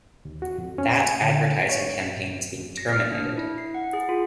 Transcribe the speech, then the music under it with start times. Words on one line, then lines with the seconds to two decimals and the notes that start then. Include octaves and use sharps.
That advertising campaign is being terminated.
0.25 D#2
0.42 F#4
0.58 F2
0.78 C#4
0.98 G#5
1.21 D3
1.69 C#5
2.77 A#6
2.93 F6
3.12 D4
3.37 E4
3.58 C7
3.74 F#5
3.93 G#4
4.09 F4